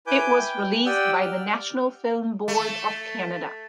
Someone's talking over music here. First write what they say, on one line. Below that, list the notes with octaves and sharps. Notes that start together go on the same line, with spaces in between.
It was released by the National Film Board of Canada.
E4 B4 G#5 D6 G6
G5
G4 D5 F#5 G5 D#6 E6
F6
A3